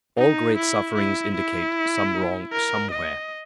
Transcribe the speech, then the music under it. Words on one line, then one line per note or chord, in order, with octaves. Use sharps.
All great sufferings indicate some wrong somewhere.
D#4
E4
E4
E4
A#4
D#5